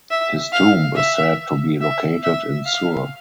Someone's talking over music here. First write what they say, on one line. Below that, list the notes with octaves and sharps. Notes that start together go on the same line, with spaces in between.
His tomb is said to be located in Sur.
E5
F5
E5
E5
E5
F5